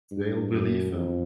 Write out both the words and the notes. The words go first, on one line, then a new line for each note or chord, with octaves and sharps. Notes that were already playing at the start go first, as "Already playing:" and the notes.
They'll believe him.
G2
F#2
F2